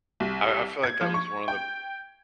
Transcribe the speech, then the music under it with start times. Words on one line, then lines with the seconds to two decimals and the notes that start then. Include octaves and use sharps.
I I feel like that was one of the
0.20 C2
0.84 G#6
1.01 F3
1.14 C#6
1.48 G5